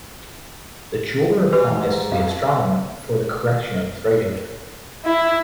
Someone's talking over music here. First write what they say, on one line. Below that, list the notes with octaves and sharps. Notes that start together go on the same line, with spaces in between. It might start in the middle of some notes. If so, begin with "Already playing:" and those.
The jeweler applies to the astronomer for the correction of his regulator.
E3 F#4 G4 B4
G#2
F2 G4 F5
E4